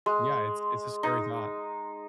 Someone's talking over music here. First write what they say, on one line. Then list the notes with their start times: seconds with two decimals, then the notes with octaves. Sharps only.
Yeah, it's it's a scary thought.
0.06 G#3
1.03 D#4